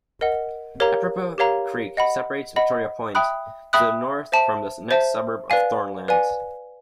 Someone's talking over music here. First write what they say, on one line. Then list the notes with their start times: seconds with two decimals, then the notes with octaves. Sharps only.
Eprapah Creek separates Victoria Point to the north from the next suburb of Thornlands.
0.21 A#4 D#5 F#5
0.80 G4 A#4 C#5 F5 A#5
1.38 G4 A#4 C#5 F5 A#5
1.97 D#5 F#5 B5
2.56 D#5 F#5 B5
3.15 E5 G5 B5 D#6 F#6
3.73 E5 G5 B5 D#6 F#6
4.32 C5 E5 A5
4.91 C5 E5 A5
5.50 B4 D5 F5 G#5
6.08 B4 D5 F5 G#5